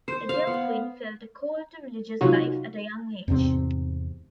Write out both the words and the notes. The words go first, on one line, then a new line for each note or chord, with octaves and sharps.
Edel Quinn felt a call to religious life at a young age.
C5
F5
B3
C3 F#3 D#4 F4 F#4
E2 G#2 C3 C4